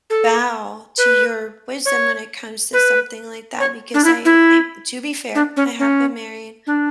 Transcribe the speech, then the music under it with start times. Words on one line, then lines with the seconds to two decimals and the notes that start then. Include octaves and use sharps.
bow to your wisdom when it comes to something like that because I I to be fair, I have been married
0.10 A4
0.98 B4
1.86 C#5
2.73 B4
3.60 C#5
3.94 D4
4.04 E4
4.25 E4
5.35 D4
5.57 C#4
5.79 C#4
6.67 D4